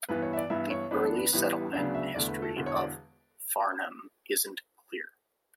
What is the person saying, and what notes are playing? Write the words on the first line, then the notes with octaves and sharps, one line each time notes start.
The early settlement history of Farnham isn't clear.
G2 E3 B3 B4
C#5
E5
D5
G2 E3 B3 E4 E5
C#5
F#2 E3 B3 D4 B4
A4
B4
A1 A2 E3 G3 B3 B4
D2 C#3 F#3 B3 D4 D5
E5
E1 E2 D3 A3 D5
B4
A4
E1 E2 D3
C#5
D5